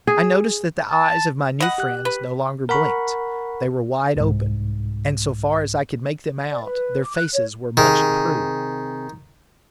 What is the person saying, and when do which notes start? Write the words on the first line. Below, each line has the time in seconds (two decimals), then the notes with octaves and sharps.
I noticed that the eyes of my new friends no longer blinked; they were wide open; and, so far as I could make them out, their faces were much improved.
0.07 G#4
0.90 A5
1.60 D#5 F#5 B5
1.78 G4 F#6
2.05 B4
2.69 A#4 F#5 B5 C#6
4.16 C2 G#2
6.50 D5
6.64 B4
7.04 D6
7.15 F#6
7.34 C#5
7.77 C3 D#3 G#4